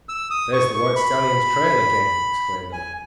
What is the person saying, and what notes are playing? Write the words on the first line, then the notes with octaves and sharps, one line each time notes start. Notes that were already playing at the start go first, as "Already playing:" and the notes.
"There's the white stallion's trail again," exclaimed the lad.
E6
D#6
C#6
C#6
B5
G#5